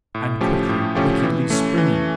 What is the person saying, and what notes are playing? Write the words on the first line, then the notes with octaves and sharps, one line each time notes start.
And quickly, wickedly springing!
A2
F3 A3 C#4 G4
A2
F3 A3 C#4 G4
E3
A3 C#4
E3